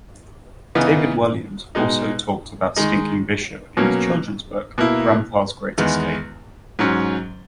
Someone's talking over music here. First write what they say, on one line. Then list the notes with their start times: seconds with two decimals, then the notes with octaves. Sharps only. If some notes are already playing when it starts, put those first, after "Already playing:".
David Walliams also talked about Stinking Bishop in his children's book, Grandpa's Great Escape.
0.75 C#3 E3 B3 D#4
1.75 B2 G#3 D#4
2.76 D#3 G#3 D#4
3.77 B2 F#3 A#3 C#4
4.78 B2 A#3 E4
5.78 E2 D#3 G#3 B3
6.79 G#2 F#3 C#4